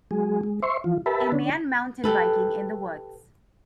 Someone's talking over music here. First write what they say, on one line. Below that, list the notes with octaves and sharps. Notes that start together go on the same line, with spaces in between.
A man mountain biking in the woods.
F#3 G#3 G#4
G#3
C5 E5 C6 C#6
E3 F3 F4
G4 A#4 B4 E5 A5 B5
D3 C#4 D4
G4 A4 B4